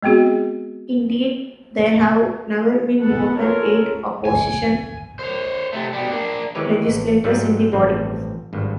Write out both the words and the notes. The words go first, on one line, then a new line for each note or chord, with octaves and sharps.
Indeed, there have never been more than eight opposition legislators in the body.
G#3 B3 C4 F#4 G#4
B3 A4 B4 F#5
C#4 F4 A4 A#4 C#5
G#5
C5 C#5
C3 A3
B2 G3
A#3 D4
D#3 E3 G#3 G4 B4 C#5
A1
G#2 F#3 G3 A3
A1 G2 F3 C4
G#1 G2